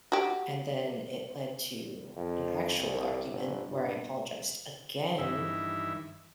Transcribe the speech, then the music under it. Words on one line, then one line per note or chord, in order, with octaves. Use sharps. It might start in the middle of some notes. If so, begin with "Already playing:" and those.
And then it led to an actual argument where I apologized again,
F#4 G4
F2
C2
G1
G2
G2 D#3 E3 E5